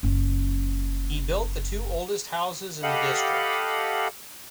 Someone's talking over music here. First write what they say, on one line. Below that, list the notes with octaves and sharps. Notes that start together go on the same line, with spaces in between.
He built the two oldest houses in the district.
F#1 C#4
G4 A4 D#5 F5 F#5 B5